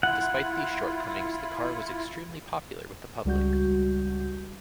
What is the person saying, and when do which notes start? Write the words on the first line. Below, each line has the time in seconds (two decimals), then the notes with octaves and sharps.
Despite these shortcomings the car was extremely popular with the public.
0.03 E4 F4 F#5
3.25 C#2 G3 F#4 G6